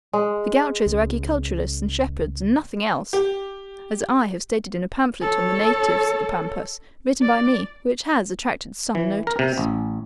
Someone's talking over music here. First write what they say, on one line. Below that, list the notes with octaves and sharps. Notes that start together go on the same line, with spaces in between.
"The Gauchos are agriculturists and shepherds, and nothing else, as I have stated in a pamphlet on the natives of the Pampas, written by me, which has attracted some notice."
G#3
C#2
G4
A4 C#5
D5
E3
A#4
C3
A1